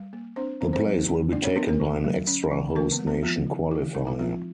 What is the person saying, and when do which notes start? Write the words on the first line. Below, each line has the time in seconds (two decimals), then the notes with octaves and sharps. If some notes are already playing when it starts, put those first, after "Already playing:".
The place will be taken by an extra Host Nation qualifier.
Already playing: G3
0.13 A#3
0.36 C4 D4 C5
0.61 F#3 C4 C5
0.73 C4 C5
0.85 F#3
1.09 B3
1.32 A#3 D4 D5
1.44 C#4 C#5
1.56 B3 D4 B4
1.68 A#3 A#4
1.80 D3
2.04 F#3
2.27 C#4
2.51 E3
2.75 E3 A#3 A#4
2.92 B3 B4
2.99 G#3
3.07 B3 B4
3.23 F3 B3 F4
3.47 D#3
3.71 D#3 E3 E4
3.95 G#3 D#4
4.07 E4
4.19 F3 C4 F4